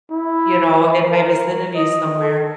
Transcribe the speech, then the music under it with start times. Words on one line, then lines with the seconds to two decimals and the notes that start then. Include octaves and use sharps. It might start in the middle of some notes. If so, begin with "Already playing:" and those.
you know, in my vicinity somewhere,
0.10 E4
1.04 A#4
1.75 D#5
2.19 A4